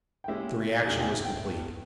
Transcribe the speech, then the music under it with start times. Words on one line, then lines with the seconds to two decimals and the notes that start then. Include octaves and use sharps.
The reaction was complete.
0.24 G5
0.28 A#2 G#3 C#4 E4 G4 E5
0.85 E2 C#3 G#3 D#4 G4 G#5
0.99 G5
1.12 E5
1.25 G5
1.43 G2 G3 B3